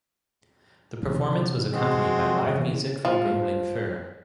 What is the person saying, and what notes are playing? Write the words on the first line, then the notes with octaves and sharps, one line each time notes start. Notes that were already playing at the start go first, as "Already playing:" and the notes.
The performance was accompanied by live music from Grumbling Fur.
C3 E3
G#3 C4 F#4
C3 E3 A#3
F3